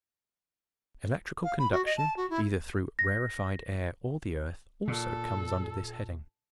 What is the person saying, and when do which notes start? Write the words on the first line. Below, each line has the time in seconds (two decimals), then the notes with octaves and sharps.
Electrical conduction, either through rarefied air or the earth, also comes under this heading.
1.43 F5
1.59 B5
1.72 F#4
1.85 D#5
1.97 A5
2.16 F#4
2.30 E4
2.99 A#6
4.88 A#2 A4